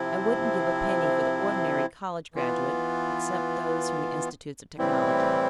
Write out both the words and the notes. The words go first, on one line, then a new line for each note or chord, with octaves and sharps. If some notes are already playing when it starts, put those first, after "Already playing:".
I wouldn't give a penny for the ordinary college graduate, except those from the institutes of technology.
Already playing: C3 F3 C4 E4
E3 B3 F4
A2 E3 G3 C4 E4